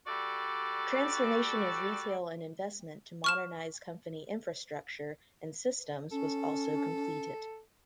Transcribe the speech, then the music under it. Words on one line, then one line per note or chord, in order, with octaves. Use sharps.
Transformation of retail and investment to modernise company infrastructure and systems was also completed.
G3 F#4 A4 D5
C#6 F6 E7
C#4 A4